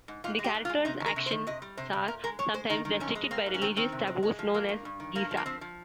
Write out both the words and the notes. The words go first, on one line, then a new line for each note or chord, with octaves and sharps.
The characters' actions are sometimes restricted by religious taboos known as "geasa".
G#2
G#2 F4
G#3
G4
G#2
F4
G#3
C3 D#4
D#3
A#4
C3
C5
D#3
C3 D#5
G3
C3 C5
C3
A#2 A#4
G#3 A#4
G#3 C#5
G#3 C5
D#3 D#4
D#3
F2 C#4
G#3
A#3 C4
G#2
C#4
D#3 C4
D#3 C4
C3
G#3
G#3
F3
A#3
G2
G2
D#3
G2 A#3
F3
A#3
F3 C4
F3